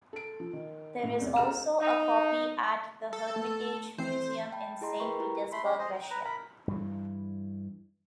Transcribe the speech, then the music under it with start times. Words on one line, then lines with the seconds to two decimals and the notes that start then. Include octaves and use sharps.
There is also a copy at the Hermitage Museum in Saint Petersburg, Russia.
0.13 A4 D7
0.40 F3
0.53 D#3
1.03 A2
1.19 E2 C3 G#3 D5
1.36 C#2 G4 A4 A#5 F6 E7
1.80 D#4
3.13 A4
3.36 A3
3.98 E3 C4 C5
4.52 G5 A5 B5
4.81 E4 G#4 D#5 A#5 C6
5.00 A#4 B4 G5 B5 C#6
5.20 E4 G4 A#5
5.52 A3 B5 C6
5.65 G3 C#4 G4
5.79 C5 D#5
5.95 G5
6.10 B4 A#5
6.25 A#4 B5
6.68 G2 E3